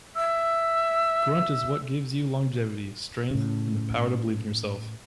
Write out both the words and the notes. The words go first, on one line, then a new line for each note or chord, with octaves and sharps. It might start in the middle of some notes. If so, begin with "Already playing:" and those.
Grunt is what gives you longevity, strength, the power to believe in yourself.
E5 E6
A2 C#3